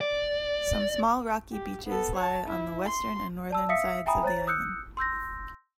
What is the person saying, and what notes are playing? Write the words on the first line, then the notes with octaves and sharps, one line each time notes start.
Some small rocky beaches lie on the western and northern sides of the island.
D5
G4
B3 A4
C#5 A5
E4
C6
D5 A5 E6
E5 F5 D#6 E6 B6 C#7
E5 G5 G#5 A#5 B5 D#6
C5 C#5 A#5 A6
D#6 E6 F#6 G6 C#7
C6 E6 G6 A#6